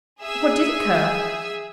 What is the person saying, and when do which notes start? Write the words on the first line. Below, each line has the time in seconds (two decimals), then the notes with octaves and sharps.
What did occur?
0.20 G#4 E5 G#5 E6